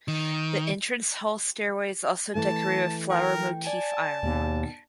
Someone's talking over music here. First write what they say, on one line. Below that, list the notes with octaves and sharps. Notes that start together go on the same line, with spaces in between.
The entrance hall stairway is also decorated with flower motif ironwork.
D#3
E3 A3 A5
A#4 G5
D5 G#5 A5
D#2 B2 D#3